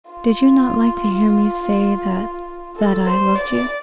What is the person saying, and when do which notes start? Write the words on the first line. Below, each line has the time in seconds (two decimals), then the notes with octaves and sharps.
"Did you not like to hear me say that--that I--loved you?"
0.11 F4
2.76 A4
3.07 C5
3.35 D5